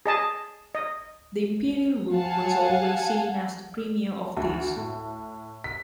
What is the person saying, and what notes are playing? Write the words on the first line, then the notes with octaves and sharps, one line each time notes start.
The Imperial Room was always seen as the premiere of these.
G#4 D#5 A5
D#5
F5 F#5 G#5 A5
D2
A2
B6